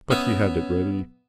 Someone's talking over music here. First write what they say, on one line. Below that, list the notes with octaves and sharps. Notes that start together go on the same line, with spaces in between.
But he had it ready.
B3 C#4 C#5 E5 D#6